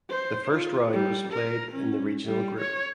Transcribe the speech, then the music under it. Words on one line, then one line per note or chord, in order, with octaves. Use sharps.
The first round was played in the regional group.
C5
F4
G3
A#4
C#4
G3
C#5